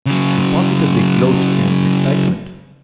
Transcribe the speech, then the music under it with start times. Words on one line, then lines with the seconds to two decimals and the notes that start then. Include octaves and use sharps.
You positively gloat in this excitement.
0.06 C#3 F#3